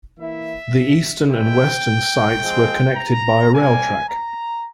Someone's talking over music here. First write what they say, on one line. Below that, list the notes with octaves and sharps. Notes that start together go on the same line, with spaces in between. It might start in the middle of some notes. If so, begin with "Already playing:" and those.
The eastern and western sites were connected by a rail track.
E3 A#3 E4 E5
F3 G#3 E4 G5
F3 G#3 C4
A#5
C3 G3 A#3 G#5
A#5